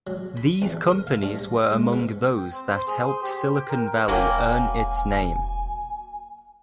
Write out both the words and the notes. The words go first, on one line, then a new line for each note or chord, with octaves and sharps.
These companies were among those that helped Silicon Valley earn its name.
F#3
B5
E2
A#4
F5
G2
A#5
G#3
B3
G5
C4
C5
G#4
C5
G4
C5
G5
A#4
E1 F#3 A#3 F#4 B4 G5 G#5